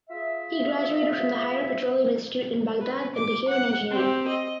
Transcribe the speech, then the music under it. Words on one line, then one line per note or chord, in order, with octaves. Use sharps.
He graduated from the Higher Petroleum Institute in Baghdad and became an engineer.
F4 G#4 E5
B4
D6
F#5
C4 G4
D#5